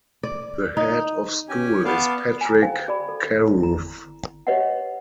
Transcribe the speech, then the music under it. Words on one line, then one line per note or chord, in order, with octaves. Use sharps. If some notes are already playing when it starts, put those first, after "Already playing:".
The head of school is Patrick Carruth.
D5
D#4
C#4 G4 G#5
B3 D5 F5 A5
G#5 A#5
C5 F5 G5 G#5
G#4 D5 B5
A4
E4 A#5
G4 B4 C#5 D#5 E5 F#5